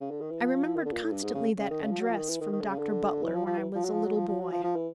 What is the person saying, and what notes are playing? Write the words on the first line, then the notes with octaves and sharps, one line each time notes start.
I remembered constantly that address from Dr. Butler when I was a little boy.
C#3
D3
D#3
E3
F3
D#3
D3
A#2
A2
G2
G#2
C#3
C#3
D#3
C#3
F3
F#3
F3
D#3
E3
D#3
D#3
D3
C#3
D3
E3
F3
F3
E3
F3
F#3
F3
F#3
F3
F3
F#3
F3
F3
E3